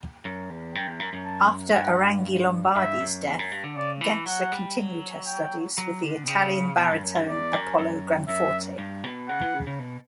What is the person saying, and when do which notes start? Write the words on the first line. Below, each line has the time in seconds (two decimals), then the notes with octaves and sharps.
After Arangi-Lombardi's death, Gencer continued her studies with the Italian baritone Apollo Granforte.
0.25 F#2
0.50 E2
0.75 F#2 G5
0.87 E2
1.00 F#2
1.13 F#2
1.25 A5
1.75 G2 F#5
2.75 G2 E5
3.00 F#2
3.26 E2
3.39 F#2
3.52 G2
3.64 D3
3.76 C#3 D5
4.01 E3
4.26 F#3 F#5
4.52 G3
4.77 F#3
5.27 G5
5.78 F#3
6.03 D3
6.24 B2
6.27 C#3 G5
6.78 B2 A5
6.91 G2
7.03 F#2
7.15 G2
7.28 E2 D5
7.53 F#2
7.79 F#2
8.28 F#2 E5
8.78 G2
9.04 B2
9.29 C#3 F#5
9.41 E3
9.54 C#3
9.67 C#3
9.79 B2